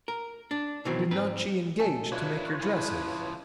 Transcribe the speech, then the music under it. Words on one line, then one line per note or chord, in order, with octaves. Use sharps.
Did not she engage to make your dresses?'
A#4
D4
B2 D#3 E3 F#3 C4
G#2 C4 B4
B2 C#4 A4
D4 E4 F4 B4 C#5
C#3 F3 E4